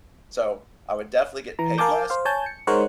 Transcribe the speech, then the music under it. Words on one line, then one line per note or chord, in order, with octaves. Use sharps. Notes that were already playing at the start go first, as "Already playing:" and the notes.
so I would definitely get paid less,
E3 A#5
A#4 F5 G#5 A5 D6 G6
C5 F5
C#5 G#5 A5 G6
C#7
G#3 D#4 A#4 C5 C#5 F#5